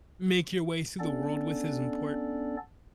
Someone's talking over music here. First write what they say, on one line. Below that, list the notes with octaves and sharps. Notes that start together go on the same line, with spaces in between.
make your way through the world with is important.
B3 C#4 D4 A4 D5